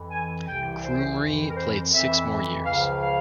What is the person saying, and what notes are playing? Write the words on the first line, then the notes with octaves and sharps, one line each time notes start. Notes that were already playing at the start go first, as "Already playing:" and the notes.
Krumrie played six more years.
Already playing: F2 E3
G#5
C2 C3 E3 G5
C5
F2 E3
A#4
C5
F2 E3 E5
C#2 C#3 F3 F5
F5